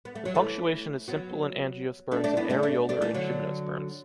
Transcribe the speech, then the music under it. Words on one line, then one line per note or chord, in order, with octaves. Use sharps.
The punctuation is simple in angiosperms and areolar in gymnosperms.
B3
A3
F#3
E3 A3
F#3 B3
A3 D4
A3 D4
B3 E4
A3 D4
A3 D4
A3 D4
E3 A3
D3 F#3